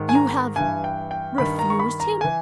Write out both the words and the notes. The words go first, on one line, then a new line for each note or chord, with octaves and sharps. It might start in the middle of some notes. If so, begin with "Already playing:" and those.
"You have--refused him?"
Already playing: G#2 D#3
G#5
A#5
G2 E3 G#5
G5
G5
G2 D#3 B5
A#5
C#6
B5
A#5
E3 G#5